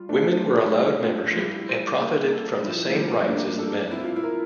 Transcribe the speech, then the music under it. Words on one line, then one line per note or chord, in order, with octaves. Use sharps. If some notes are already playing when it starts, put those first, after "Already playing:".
Women were allowed membership and profited from the same rights as the men.
Already playing: G3 F4
A3 D4
C5
G3
F4
F3
G3 E4
C5
A#3
A4
F3 E4
A3
G3 C5
A#3 D4
A4
C4 E4
F4
E4
A#4